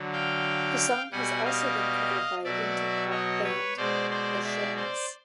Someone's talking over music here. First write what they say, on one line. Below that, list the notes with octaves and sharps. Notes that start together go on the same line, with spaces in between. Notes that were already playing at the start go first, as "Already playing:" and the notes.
The song has also been covered by indie pop band, The Shins.
Already playing: D3 F#3
F5 G5
B2 G3 F#5 G#5
D#5 F5
B2 F#3 D5 E5
C#5 D#5
B4 C#5
B2 G#3 C5 D5
C5 D5
D5 E5
C5 D5